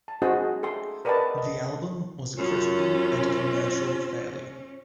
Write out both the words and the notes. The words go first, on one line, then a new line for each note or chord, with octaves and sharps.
The album was a critical and commercial failure.
A5
C#4 D#4 F#4 G#4 C5 D#5
G#4 A4 G5 C6
A#4 B4 D5 D#5 G5 A5
D#5
F#2 C#4 F4